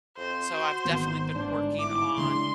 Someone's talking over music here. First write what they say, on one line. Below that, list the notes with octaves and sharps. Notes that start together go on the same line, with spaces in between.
So I've definitely been working on
F2 C5
F#4
G#1 D#3 B3
G1 G#2 D4
E4 D6
C#3 G#3 D4 C6